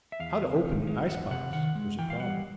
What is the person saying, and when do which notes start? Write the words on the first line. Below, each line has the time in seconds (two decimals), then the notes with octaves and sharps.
How to open the ice-box was a problem.
0.12 E5
0.20 E2 F5
0.42 C3
0.65 D#3
0.87 G#3
1.08 E2 F#5
1.31 C3 F#5
1.53 D#3 F#5
1.75 G#3
1.99 E3 G5
2.10 F5
2.20 G3 F#5